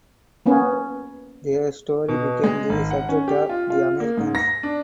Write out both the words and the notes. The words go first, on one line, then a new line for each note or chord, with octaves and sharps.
Their story became the subject of "The Americans".
A#3 B3 C#4
B2
G#3
G#1
F#5
C#4
G4
F4
F4
A#3
G#2
A#6
D4